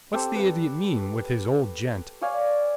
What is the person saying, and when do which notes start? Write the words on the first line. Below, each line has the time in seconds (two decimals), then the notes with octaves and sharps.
'What's the idiot mean!--with his old gent!
0.13 C4 G4 A4 C5
0.36 B4 B5
2.22 C#5 D5 F5 G#5